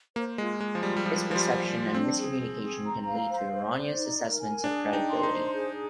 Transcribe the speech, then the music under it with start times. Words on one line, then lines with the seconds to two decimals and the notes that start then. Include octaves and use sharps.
Misperception and miscommunication can lead to erroneous assessments of credibility.
0.16 A#3 C5
0.38 G#3 F4
0.60 G#3 F4
0.75 F3
0.83 G3 F4
0.97 G3
1.05 F3 F4
1.27 F3 F4
1.36 G3
1.50 C5
1.65 G3
1.73 F4
1.94 C4 D4
2.17 G#4
2.40 G#4
2.62 G#4
2.85 A#5
3.07 F5
3.29 C5
3.52 C5
3.74 D5
3.96 D#4
4.19 A#4
4.41 G#5
4.64 D4 G#4
4.86 G5
4.93 D#4
5.08 C6
5.23 D#4
5.31 C5
5.53 G#4